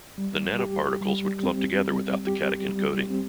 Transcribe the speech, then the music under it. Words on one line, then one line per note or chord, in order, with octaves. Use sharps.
The nanoparticles would clump together without the catechin coating.
G3
G4
G3
C4
G3
G4
G3
C4